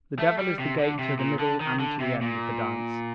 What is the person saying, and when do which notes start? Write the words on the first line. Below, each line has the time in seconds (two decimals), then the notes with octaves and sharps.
The devil is the gate to the middle and to the end of the dance.
0.19 A3
0.38 G3
0.59 C3
0.79 D3
0.99 C3
1.19 A#2
1.39 D3
1.61 D#3
1.80 D3
2.00 C3
2.22 A#2